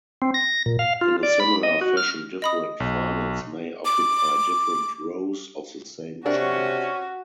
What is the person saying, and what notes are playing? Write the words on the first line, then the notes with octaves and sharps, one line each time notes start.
In a similar fashion different finals may occupy different rows of the same chart.
C4
A#6
A#2
F5
F4
D5
B5
D#5
F#4
F6
D#5 B5 D#6
B1
D6
C3 C#4 D4 F#4 A#4 F#5